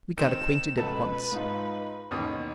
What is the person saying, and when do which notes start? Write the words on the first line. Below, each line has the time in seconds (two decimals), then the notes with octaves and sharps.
We got acquainted at once.
0.17 D#3 C4 E7
0.77 C#2 B2 A4 B4
1.32 G#2 D#4 F4
2.11 A1 D#2 B2 D#3 D#6